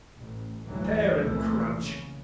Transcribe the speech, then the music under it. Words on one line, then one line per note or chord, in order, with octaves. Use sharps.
Tear and crunch!
A1
D2 G2 E3 F#3
C2 F2 A#2 E3 A3
C#3